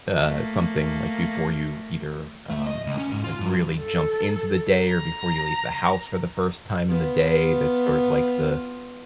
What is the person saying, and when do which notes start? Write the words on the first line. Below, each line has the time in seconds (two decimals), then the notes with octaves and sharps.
uh, something, like, before you either, um, like, really jump into the day or before you leave the house for the first time in the day that's sort of like the
0.19 A3 A#3
2.50 A3
2.66 D#5
2.87 C#2
2.98 C#4
3.12 G#2
3.24 F4
3.40 G2
3.80 A4
4.85 A#5
6.88 B3 F4